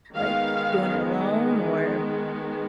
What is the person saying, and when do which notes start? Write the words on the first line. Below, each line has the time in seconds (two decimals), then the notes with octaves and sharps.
like, doing it alone? Or
0.13 D#3 G#3 B3 F5